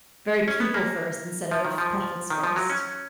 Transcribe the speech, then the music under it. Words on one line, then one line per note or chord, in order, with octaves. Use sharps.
Very people first instead of profits first,
C#4
B3
A#3
F3
D#3
F3
D#3
F3
F#3
C#4